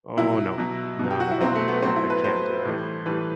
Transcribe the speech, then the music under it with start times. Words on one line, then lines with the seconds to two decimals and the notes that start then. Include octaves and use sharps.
Oh, no. Not at all. I can't do it.
0.17 B2 F#3 E4
0.58 B2 F#3
0.99 B2 F#3
1.11 G4
1.20 F#4
1.31 E4
1.41 B2 F#3 C4
1.55 A3
1.68 B3
1.83 A2 F#3 C4
1.96 E4
2.10 B4
2.24 A2 F#3 C5
2.65 A2 E3 G3
3.06 A2 E3 G3 B4